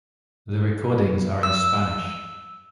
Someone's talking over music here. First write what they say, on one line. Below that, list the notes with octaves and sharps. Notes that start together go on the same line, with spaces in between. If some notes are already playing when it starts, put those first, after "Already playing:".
The recordings are in Spanish.
E6